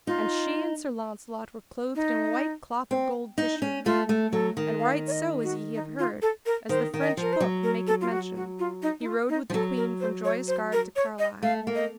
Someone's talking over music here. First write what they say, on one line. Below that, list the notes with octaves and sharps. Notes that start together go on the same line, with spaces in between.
And she and Sir Launcelot were clothed in white cloth of gold tissue; and right so as ye have heard, as the French book maketh mention, he rode with the queen from Joyous Gard to Carlisle.
D#4 F4
D#4
C4
D#4
C#4
A3 F4
A3
F#3 A4
D#3
F5
C#5
D#5
F#4
D#4
F4
A4
A#4
D#3 C5
D#3
D#5
F3 A#4
C5
F#3
A#4
A4
F4
F#4
F#4
F4
D#4
D#4
F4
D#4
F3
F#3 A4
A#4
C5
C#5
C5
A#4
C#5
D#5
A3 F5
A#3
D#5